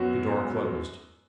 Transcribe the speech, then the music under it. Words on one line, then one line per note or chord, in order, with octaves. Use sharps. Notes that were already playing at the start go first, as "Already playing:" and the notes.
The door closed.
Already playing: F#2 F#3 B3 F#4